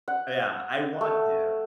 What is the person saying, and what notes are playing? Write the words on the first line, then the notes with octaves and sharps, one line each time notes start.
Yeah, I want to.
F#5
A3